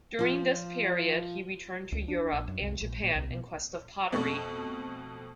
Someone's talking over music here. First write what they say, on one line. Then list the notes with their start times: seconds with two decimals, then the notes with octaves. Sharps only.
During this period, he returned to Europe, and Japan in quest of pottery.
0.19 F3 F4
1.92 C#2
2.08 D4
2.33 A#1
2.48 F#2
2.61 C2
2.81 A#1
3.03 A#2
3.16 C2
3.30 B2
4.12 F2 B2 A3 C#6